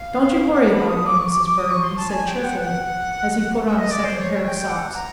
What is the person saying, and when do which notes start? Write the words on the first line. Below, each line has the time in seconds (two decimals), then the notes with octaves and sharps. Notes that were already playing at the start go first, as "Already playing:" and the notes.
"Don't you worry about me, Mrs. Burden," he said cheerfully, as he put on a second pair of socks.
Already playing: F5
0.54 F#5
0.71 B5
0.88 D#6
1.06 D6
1.19 C#6
1.31 D6
1.45 D6
1.58 D#6
1.71 C#6
1.83 C6
1.97 A5
2.09 G#5
2.27 G5
2.44 F#5
2.61 G5
2.66 F#5
3.66 E5
3.78 D#5
3.91 D5
4.04 C5
4.17 D5
4.20 C#5
4.43 G#5
4.47 G5
4.69 F#5
4.95 A#5